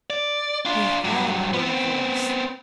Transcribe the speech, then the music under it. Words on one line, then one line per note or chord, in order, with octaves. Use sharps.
He had heard a voice.
D5
D4 F4
G2 F#3
B3 C4